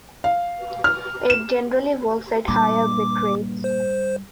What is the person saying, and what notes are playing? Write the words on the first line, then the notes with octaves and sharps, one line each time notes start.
It generally works at higher bitrates.
F5
F6
E7
G2 A#2 D6
C5